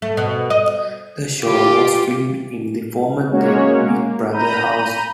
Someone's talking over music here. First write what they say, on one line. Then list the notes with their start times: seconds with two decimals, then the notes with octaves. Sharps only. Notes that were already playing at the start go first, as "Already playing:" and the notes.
The show was filmed in the former then "Big Brother" House.
0.02 A3
0.17 B2
0.50 D#5
1.41 F4 G4
3.31 G#3 A#3 C#4 F#4 C#5
3.90 A#3
4.32 A#5 B5 G6 D#7